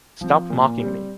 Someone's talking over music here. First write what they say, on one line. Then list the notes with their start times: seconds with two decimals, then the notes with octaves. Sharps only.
Stop mocking me.
0.21 F3 C4
0.50 A#2
0.79 G3 C4